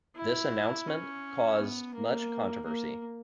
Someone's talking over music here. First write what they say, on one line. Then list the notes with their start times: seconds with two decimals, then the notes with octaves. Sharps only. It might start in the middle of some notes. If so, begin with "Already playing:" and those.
This announcement caused much controversy.
0.16 E4
0.87 C#4
1.58 B3
1.94 A#3
2.65 A#3